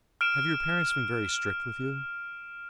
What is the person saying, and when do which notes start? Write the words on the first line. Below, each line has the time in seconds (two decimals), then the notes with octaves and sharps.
"Have your parents been very strict with you?"
0.21 F6 D7 E7